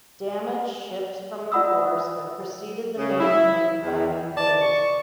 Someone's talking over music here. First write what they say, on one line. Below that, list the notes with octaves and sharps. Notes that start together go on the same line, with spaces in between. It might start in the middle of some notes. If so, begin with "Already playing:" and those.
Damaged ships from the force had preceded the main fleet by a few days.
F4 D5 F#5 B5 D#6 E6
C#3
E4
E2
D5 A5
C#6